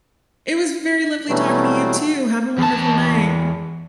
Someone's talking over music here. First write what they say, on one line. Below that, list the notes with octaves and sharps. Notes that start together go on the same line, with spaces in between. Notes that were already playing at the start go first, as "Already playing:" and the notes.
It was very lovely talking to you too. Have a wonderful night.
B2 E3 F#3 G3 A3
E2 A5